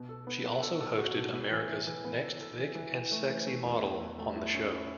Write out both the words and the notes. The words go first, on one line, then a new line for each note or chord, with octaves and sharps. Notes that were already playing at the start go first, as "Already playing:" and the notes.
She also hosted "America's Next Thick and Sexy Model" on the show.
Already playing: B2
A4
B3
B3
A4
A4
F#4
B2
B3
E3
E3
E3
B3
A4
A4
E3
E3
E3
A3
E3
A3
E2
E2
E2
A3
E4
C#4
E4